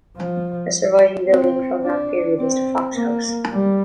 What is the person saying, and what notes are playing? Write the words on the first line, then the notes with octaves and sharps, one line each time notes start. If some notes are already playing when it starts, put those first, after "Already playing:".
A surviving building from that period is the Fox House.
F3
C4
D4
C4
A#3
G3